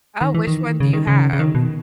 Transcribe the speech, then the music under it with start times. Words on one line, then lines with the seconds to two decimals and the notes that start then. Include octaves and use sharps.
Oh, which one do you have?
0.21 D#3
0.35 E3
0.47 D#3
0.80 C#3
0.93 D#3
1.07 C#3
1.33 C#3
1.40 D#3
1.55 B2